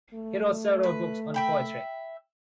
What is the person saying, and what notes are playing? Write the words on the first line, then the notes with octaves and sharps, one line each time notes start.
He wrote several books on poetry.
A3
B4
E5 G5 B5